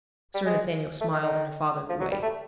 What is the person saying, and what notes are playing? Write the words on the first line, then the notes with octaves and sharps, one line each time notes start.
Sir Nathaniel smiled in a fatherly way.
G3
G#3
A3
D#3
D#3
F3
F#3
G3
A3